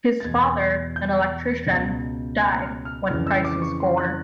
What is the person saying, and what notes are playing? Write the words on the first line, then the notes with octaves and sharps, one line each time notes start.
His father, an electrician, died when Price was four.
A6
E2 B2 G#6
G#6
G6
C#2 B2
F#6
F6
F6
F2 C#3 E3 F6
E6
D6
C#6
C6
F#6